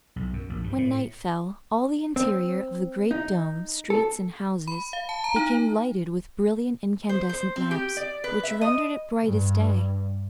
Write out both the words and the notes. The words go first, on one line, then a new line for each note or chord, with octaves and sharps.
When night fell all the interior of the Great Dome, streets and houses, became lighted with brilliant incandescent lamps, which rendered it bright as day.
B1
F#2
A#1
G2
A2
C4
D#4
A4
B5
F5
A5
A#5
D#4
C5
C5
C4
G4
D5
B4
E5
D#5
G2